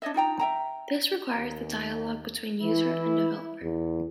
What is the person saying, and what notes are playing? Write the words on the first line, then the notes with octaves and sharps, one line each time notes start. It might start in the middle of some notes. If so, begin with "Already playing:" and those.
This requires the dialogue between user and developer.
D4 C#5 D#5 E5
D#4 F4 G5 A#5
E5 G5 A#5
D#2
E3 E4
E2